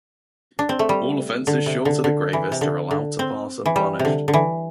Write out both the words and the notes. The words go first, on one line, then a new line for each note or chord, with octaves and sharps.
All offenses short of the gravest are allowed to pass unpunished.
D4
C4
A3
G3
D3
C3
D3
D3
E3
C3
D3
D3
C4
E3
G3
C3
D3
D3
E3